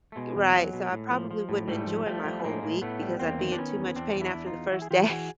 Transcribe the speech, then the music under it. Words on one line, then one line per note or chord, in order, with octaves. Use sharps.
Right. So, I probably wouldn't enjoy my whole week because I'd be in too much pain after the first day.
A3
B2 G#3
E2
F#3
B2
A2
F3
F3
A2
G#2 G3 A3
F3
F3 G3 A3
F3
B3
A2 G#3 A#3
A2
A2 A3 B3
G3
E2 A#3 C4
D#3
D4
D#3 B3 C#4
E2
E2 C4 D4
E2
D4 E4
E2
D#4 F4
E2
E3 E4 F#4
G#4
E3 F4 G4
A4
E3 F#4 G#4